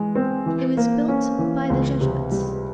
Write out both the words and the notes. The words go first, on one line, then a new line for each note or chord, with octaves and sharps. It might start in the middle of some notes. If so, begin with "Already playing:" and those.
It was built by the Jesuits.
Already playing: E3 G#3
C4
E3
A#3
C#4
E3
C#2
C3
G3